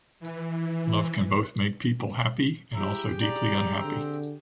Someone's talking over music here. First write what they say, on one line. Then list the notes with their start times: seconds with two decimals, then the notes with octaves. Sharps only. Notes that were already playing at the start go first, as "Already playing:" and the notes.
Love can both make people happy and also deeply unhappy.
0.20 E3
2.73 E4 G4 G#4 A#5
3.21 D5 A#5
3.80 D3 C4